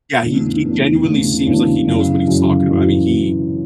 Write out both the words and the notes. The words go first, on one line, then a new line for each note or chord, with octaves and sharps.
Yeah, he he genuinely seems like he knows what he's talking about. I mean, he
E2 C#3 E3 A3 D4
E2 C#3 E3 A3 D4
E2 C#3 E3 A3 D4
E2 C#3 E3 A3 D4
F#2 C#3 E3
F#2 C#3 E3
F#2 C#3 E3